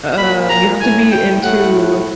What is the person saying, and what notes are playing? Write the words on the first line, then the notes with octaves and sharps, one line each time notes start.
um, you have to be into
A#2 B5
A#5
A2 G#5
A2 G5
A2 F#5